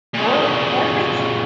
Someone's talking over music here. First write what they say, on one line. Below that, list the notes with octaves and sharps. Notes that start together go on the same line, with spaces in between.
Yep, every
A#2 C#3